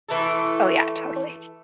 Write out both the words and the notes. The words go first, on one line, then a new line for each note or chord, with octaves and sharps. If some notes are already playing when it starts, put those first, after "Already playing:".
Oh, yeah, totally.
E3 A3 A4